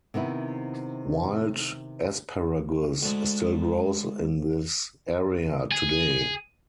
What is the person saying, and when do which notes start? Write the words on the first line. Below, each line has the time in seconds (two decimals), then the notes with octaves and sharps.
Wild asparagus still grows in this area today.
0.14 C3 D#3 B3 E4
3.02 D2 G#2
5.72 G#4